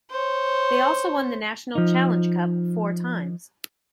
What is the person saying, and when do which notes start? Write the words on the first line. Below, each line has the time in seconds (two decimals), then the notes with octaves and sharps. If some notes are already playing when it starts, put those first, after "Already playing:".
They also won the National Challenge Cup four times.
0.10 C5 C#5
1.75 F3 D#4